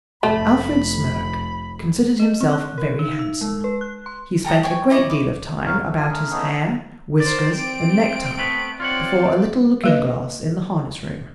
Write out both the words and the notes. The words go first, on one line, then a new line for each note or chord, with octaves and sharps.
Alfred Smirk considered himself very handsome; he spent a great deal of time about his hair, whiskers and necktie, before a little looking-glass in the harness-room.
F1 A3 B5
D#5
C4
F#6
A#4
D#4
E6
G#3
B4
F#6
C6
A4 G5 A#5 D#6
C#5 G5 G#5 C#6
E4 D5 D#5 C#6
D6
A#4 C#5 F5
A4
D4 F4 G#5
A3 G#4 A#4
A3 B3 C#4 D#4 G#4 A4
A#4 C5 D5
C4 D7
A3 B3 B4
C4 F4 C#5 D5 F#5
A#3 B4 D#5